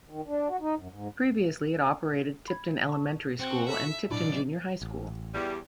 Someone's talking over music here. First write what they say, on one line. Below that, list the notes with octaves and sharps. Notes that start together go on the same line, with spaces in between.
Previously it operated Tipton Elementary School and Tipton Junior High School.
D#3
D4
F#4
D#4
F#2
G#2
B5 G#6
A5 C#6
C4 F#4
A4 E5 A5 B5
B1 A2 D4 E4 D5
A1
E2 G3